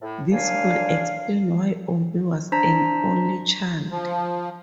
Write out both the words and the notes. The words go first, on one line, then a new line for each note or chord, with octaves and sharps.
This could explain why Opie was an only child.
A2
D#2 D4 F5 G#5
D4 C5 A5 A#5 B6
F3